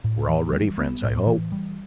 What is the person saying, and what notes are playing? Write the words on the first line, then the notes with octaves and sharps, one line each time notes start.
"We are already friends, I hope."
A2
E3
G3
B3
A2
E3
G3